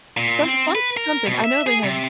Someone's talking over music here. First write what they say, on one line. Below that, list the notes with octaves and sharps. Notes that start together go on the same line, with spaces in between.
some some something, I know they had
A#2
C4
B4
A#4
B2
E5
G#4
C3